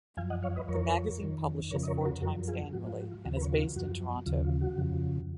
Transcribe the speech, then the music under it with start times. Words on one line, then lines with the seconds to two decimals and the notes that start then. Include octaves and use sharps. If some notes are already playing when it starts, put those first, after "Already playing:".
The magazine publishes four times annually and is based in Toronto.
0.17 F#2 F3 F5 G#5
0.30 D#5 F#5
0.43 C#5 F5
0.56 B4 D#5
0.68 F2 F3 A#4 C#5
1.20 F2 D#3
1.70 F2 C#3 F3 A#4 C#5
1.83 D#5
1.87 A#4 C#5
2.01 B4
2.05 F#4 A#4
2.22 F#2 F3 F#4 A#4
2.48 F4 G#4
2.73 G#2 F3 F#4
2.86 F4
2.99 F#4
3.12 F4
3.25 D#2 C#3 F3 F#4
3.37 B4
3.41 A#4 C#5
3.53 F#4
3.59 F4
3.76 F#2 F3 F#4
4.26 D#2 C#3 F3 F4
4.44 F4
4.61 F#4
4.77 F2 C#3 F3